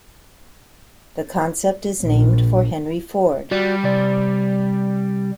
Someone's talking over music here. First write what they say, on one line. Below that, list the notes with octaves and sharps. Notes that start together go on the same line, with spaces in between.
The concept is named for Henry Ford.
A#1
G3 F#4 D5
C3 D5